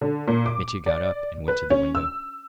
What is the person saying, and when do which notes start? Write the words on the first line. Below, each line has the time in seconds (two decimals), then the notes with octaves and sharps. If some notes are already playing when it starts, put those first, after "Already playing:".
Mitya got up and went to the window....
0.01 D3
0.28 A#2
0.46 D6
0.86 D5
1.48 B4
1.70 C#4
1.95 E6